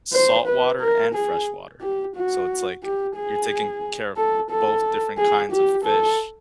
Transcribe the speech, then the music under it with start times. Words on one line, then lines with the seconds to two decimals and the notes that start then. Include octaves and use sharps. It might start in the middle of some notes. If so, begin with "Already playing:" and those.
Saltwater and freshwater. So it's, like, you're taking care of both different kinds of fish,
0.13 C5
0.47 B4
0.81 A#4
1.15 G#4
1.81 G4
2.16 F#4
2.83 G4
3.15 G#4
4.16 A4
4.51 A4
5.18 G#4
5.52 G4
5.85 A4